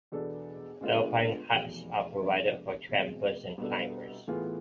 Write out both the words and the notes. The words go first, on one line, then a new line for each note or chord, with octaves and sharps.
Alpine huts are provided for trampers and climbers.
E2 B2 B3 D4 A4
D2 D3 G#3 B3 F4
F1 E2 B2
F2 C3 G#3 B3 D4
E2 B2 G#3 C4
C2 B2 B3 D4 A4
A2 E3 B3 F4 G#4